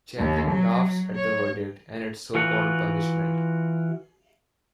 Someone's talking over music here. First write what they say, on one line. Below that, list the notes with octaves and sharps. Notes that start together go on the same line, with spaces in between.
Chaplin laughs at the verdict and its so-called punishment.
D#2
F#3
C#5
E3 F4 F#4 F#5